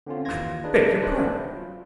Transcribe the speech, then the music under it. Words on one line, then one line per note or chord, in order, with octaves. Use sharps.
I beg your pardon.
D3 C4 C#4 F4
D#2 E3 F4 G#6 A#6
D4 D#4 G#4 B4
D4 B4 C5 E5
F#3 F4